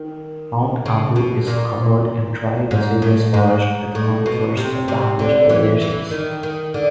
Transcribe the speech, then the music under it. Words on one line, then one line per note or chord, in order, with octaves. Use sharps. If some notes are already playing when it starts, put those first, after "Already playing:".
Mount Abu is covered in dry deciduous forest with conifers at the highest elevations.
Already playing: D#3
C#3
B2
A#2
G#2
A2
G#2
A2
B2
C3
C3
D3
E3
E3
D#3
D#3
D3